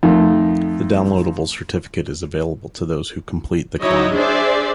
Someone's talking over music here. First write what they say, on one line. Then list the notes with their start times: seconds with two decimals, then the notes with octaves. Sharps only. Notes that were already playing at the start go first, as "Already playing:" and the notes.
A downloadable certificate is available to those who complete the climb.
0.03 F2 D#3 A3
3.82 F#3 D#4 E4 C#5 D#5
4.14 D4 G#4 C5 D5 E5